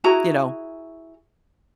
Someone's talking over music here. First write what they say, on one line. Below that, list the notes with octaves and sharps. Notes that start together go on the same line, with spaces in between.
you know,
E4 F#4 G#4 A#5